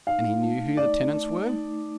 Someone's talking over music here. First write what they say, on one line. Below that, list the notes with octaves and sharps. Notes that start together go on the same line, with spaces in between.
"And he knew who the tenants were?"
D#4 F5
A3
D#4 D5
A3
D#4